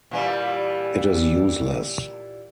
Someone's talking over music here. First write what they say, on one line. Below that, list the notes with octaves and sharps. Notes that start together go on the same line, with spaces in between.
It is useless.
A#2 E3 G3